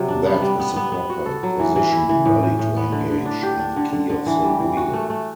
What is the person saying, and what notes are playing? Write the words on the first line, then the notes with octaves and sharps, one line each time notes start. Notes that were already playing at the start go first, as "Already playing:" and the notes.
That is the proper position ready to engage in the key of the wheel.
Already playing: C3 F#3
D4
B3
G3
B3
B3
B3
F#4
A4
F#3
E3
E3
E4
E3
A2
A2
A2
B3
D3
D3
D4
G4
D4
D3
D3
D3
E3
G3
E3
F#4
A3
A3